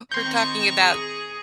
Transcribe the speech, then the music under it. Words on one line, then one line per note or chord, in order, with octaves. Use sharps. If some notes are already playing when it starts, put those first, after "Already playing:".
we're talking about,
D#3 C4 A#5 C6 C#6 G6
G#4